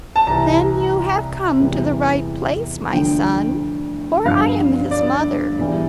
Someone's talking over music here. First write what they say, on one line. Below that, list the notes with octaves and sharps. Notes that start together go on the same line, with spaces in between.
'Then you have come to the right place, my son, for I am his mother.
A5
C2 C3 E3 G3 A#5
E2 C3 E3 G3
D2 D3 F3 G5
G1 G2 F3 F5
D5
E1 E2 E3 G3